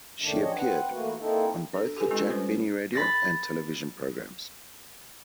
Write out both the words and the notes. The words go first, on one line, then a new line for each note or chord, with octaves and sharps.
She appeared on both the Jack Benny radio and television programmes.
F#2 A2 D#3 A3 D4
F3 C4 D4 G#4 C#5 D#5
C4 B4 F#5
E3 A3 A#3 F#4 B4
A#3 C4 D#4 E4 A4
D4 A4
G4 A4 B4 G#5
G#3 C4 D4 F4 A4
G3 C#4 B4 C5
B5 A6 A#6